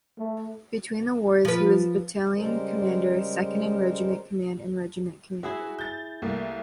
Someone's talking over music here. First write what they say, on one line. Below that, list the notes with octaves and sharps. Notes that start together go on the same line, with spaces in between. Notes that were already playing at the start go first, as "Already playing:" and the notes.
Between the wars he was battalion commander, second in regiment command and regiment commander.
A3
F3 B4
C#3 G3 G#3 A#4 C5
E4 F#4 G#4 E5
G6 A6
C2 A3 A#3